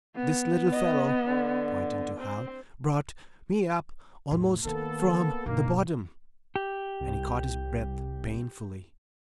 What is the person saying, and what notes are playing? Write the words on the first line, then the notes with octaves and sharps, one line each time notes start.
"This little fellow"--pointing to Hal--"brought--me up--almost--from--the bottom!" and he caught his breath, painfully.
B3
D#5
D3
C4
E2 A2
D#3 A#3 B3 A4
G1 B2 D#3 A#3
G4
C2